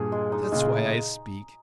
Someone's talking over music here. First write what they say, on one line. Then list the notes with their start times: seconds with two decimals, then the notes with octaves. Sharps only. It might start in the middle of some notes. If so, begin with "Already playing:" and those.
That's why I speak.
Already playing: G2 A#2 G#4
0.12 G#3
0.32 D#4
0.52 A#2 C#3 G#3